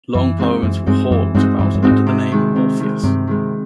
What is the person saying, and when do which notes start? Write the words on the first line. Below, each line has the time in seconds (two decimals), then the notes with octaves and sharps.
Long poems were hawked about under the name Orpheus.
0.14 F#2 E3
0.39 G#3 C4 D#4 F#4
0.63 F#2 E3
0.86 G2 G#3 C4 D#4 F#4
1.11 F#2 E3
1.34 G2 G#3 C4 D#4 F#4
1.59 G2 E3
1.75 G2
1.82 G#3 C4 D#4 F#4
1.91 G#2
2.07 C3
2.32 D#3 G#3
2.56 C3
2.80 D#3 G#3
3.03 G2 C3
3.27 D#3 G#3